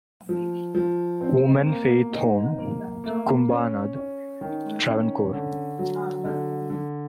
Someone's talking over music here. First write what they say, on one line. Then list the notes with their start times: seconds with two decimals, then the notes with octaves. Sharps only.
Oommen Faith Home, Kumbanad, Travancore.
0.29 F3
0.75 F3
1.21 C4
1.66 A#3
2.12 D#4
2.58 A#3
3.04 A#3
3.50 C#4
3.95 C#4
4.41 D#3
4.87 C#4
5.33 D3
5.79 F#3
6.25 D3
6.70 D3